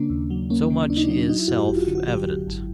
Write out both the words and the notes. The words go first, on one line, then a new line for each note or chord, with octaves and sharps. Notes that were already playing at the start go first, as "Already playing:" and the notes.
So much is self--evident.
Already playing: C#3 A#3 D4
D#2
F#3
A#3 C#4
C#3
D#2 D4
D#4
D4
F#3 D#4
D4
F#3 D#4
E4
F#2 F#4
G4
G#1 G4
F4
F#4
D3
F#4
F#3 G4
F#2
G#1